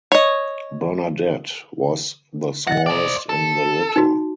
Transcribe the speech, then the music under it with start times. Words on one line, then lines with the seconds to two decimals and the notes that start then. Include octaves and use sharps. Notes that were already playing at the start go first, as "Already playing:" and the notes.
Bernadette was the smallest in the litter.
0.12 C#5 D#5
2.67 D#5 E5 F#5
2.86 C5 D5
3.29 A4
3.96 D#4 F#4